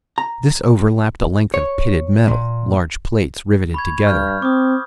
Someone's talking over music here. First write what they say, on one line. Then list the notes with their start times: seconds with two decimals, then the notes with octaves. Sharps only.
This overlapped a length of pitted metal, large plates riveted together.
0.18 A#5
1.54 C#5
2.28 A#2
3.74 B5 C#6 G#6
4.06 G2 C#6 F6 G6
4.42 C4 D6 D#6